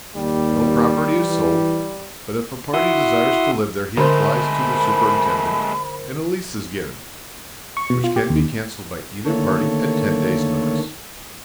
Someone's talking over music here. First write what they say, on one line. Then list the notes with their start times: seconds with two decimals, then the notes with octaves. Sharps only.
No property is sold, but if a party desires to live there he applies to the Superintendent, and a lease is given, which can be cancelled by either party at ten days' notice.
0.16 D#2 G3
1.23 E3
2.74 E4 F#4 E5 F#5 C6 D#6
3.97 D3 G#3 A3 A#4 C5 B5
7.77 C#6
7.90 B2
8.04 F4
8.16 G4
8.30 D#2
9.25 D3 D#3 A3 A#3 A4 C#5